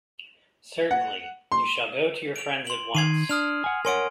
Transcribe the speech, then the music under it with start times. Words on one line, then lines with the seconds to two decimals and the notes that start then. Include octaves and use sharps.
Certainly; you shall go to your friends at once.
0.91 F#5
1.52 C6
2.36 D7 F7
2.67 C6 F#7
2.95 D#3 G#6 C7 D#7
3.29 D4 D#6 F6 F7
3.64 F#5 G#5
3.85 A#4 C#5 F#5 G#5 C6 D7